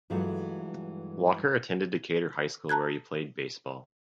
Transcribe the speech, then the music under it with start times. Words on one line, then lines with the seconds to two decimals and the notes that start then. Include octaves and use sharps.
Walker attended Decatur High School where he played baseball.
0.10 G2 E3 F#3 G#3 A3 F4
2.69 A5 A#5 F#6 G#6